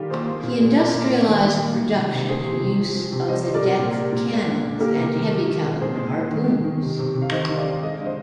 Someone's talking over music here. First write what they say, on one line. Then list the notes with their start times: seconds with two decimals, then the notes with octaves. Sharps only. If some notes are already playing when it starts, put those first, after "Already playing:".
He industrialized production and use of the deck cannons and heavy-caliber harpoons.
Already playing: D#3 G3 F4 G4 A#4
0.10 A#3 G#4 C5
0.27 A#3
0.43 A#2
0.60 A#2
0.77 A#2 A#4 D5
0.94 A#2
1.10 A#2
1.28 D#3
1.44 D#3
1.61 A#3
1.78 D#3
1.95 C3
2.12 C3
2.28 D#3 G#4 C5
2.44 C3
2.62 C3
2.79 F3
2.95 F3
3.12 C3
3.28 G3 C5 D#5
3.46 G3
3.54 A#4 D5
3.63 C3
3.79 A#2
3.96 G#3
4.12 A#2
4.30 G#3
4.47 D3
4.64 D3
4.80 A#3 G4 A#4
4.97 C3
5.14 D#3
5.31 G#3
5.47 D#3
5.64 G#3
5.80 A#2 G#4 C5
5.97 A#2
6.15 G#3
6.31 D#3
6.48 D#3
6.64 D#3
6.82 C3
6.99 C3
7.15 C3
7.22 F5
7.31 D#3 C5 D#5
7.49 D#3
7.57 D5 F5
7.66 D#3
7.83 G#3 D#5
7.93 F5
8.00 D3
8.05 C5 D#5